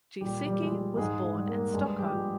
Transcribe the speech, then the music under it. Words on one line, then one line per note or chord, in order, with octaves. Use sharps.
Giesecke was born in Stockholm.
A#2 G3 G4
G3 G4
F3 G#3
G#3 G#4
G#2 G#3 G#4
G#3 G#4
G3
A#3 A#4
G2 G#3 G#4
G3 G4
F3
G#3